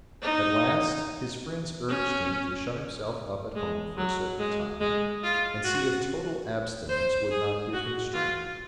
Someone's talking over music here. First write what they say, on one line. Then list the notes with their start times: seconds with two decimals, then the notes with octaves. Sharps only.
At last, his friends urged him to shut himself up at home for a certain time, and see if total abstinence would not give him strength.
0.22 D#4
1.89 C#4
3.55 G#3
3.97 F#3
4.39 G#3
4.80 G#3
5.23 F4
5.64 F#4
6.89 C5
7.30 G#4
7.73 F#4
8.14 F4